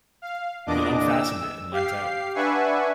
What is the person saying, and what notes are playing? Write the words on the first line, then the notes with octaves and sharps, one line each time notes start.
He unfastened it, and leant out.
F5
E2 A#2 D4 D#5 D6
E6
G4 F5 C7
D4 B4 E5 F#5 G#5 C#6